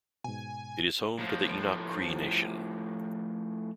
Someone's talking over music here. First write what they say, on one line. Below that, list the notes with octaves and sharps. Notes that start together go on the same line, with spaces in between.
It is home to the Enoch Cree Nation.
G#2 B2 G#5
A2 F3